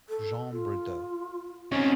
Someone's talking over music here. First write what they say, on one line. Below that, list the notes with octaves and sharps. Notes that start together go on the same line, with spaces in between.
Jean Bridaux.
A4
F4
C4 C#4 D#4